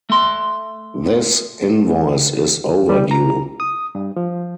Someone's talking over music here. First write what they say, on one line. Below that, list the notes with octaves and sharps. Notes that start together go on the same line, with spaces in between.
This invoice is overdue.
A3 C6
G3
A#5
D#6
G2
F3